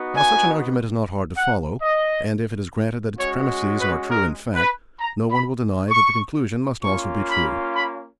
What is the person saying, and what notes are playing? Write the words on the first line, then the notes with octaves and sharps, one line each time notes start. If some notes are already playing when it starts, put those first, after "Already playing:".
Now such an argument is not hard to follow; and if it is granted that its premisses are true in fact, no one will deny that the conclusion must also be true.
Already playing: B3 D#4 F#4
G#5
F#5
D#5
G#3 C#4 F#4 C#5
B4
A#4
B4
A#5
B5
C#6
A#3 C#4 F4 C#6
B5
B5